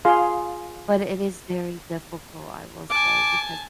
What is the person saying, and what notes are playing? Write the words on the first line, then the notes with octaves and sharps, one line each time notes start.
But it is very difficult, I will say, because,
F4 G#4 F5 C6
G#5 A5 D6